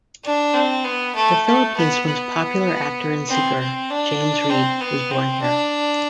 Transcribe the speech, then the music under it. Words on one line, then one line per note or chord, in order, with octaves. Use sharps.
The Philippine's most popular actor and singer James Reid was born here.
D4
C4
B3
A3
A3
B3
B3
C4
C4
D4
C4
B3
C4
D4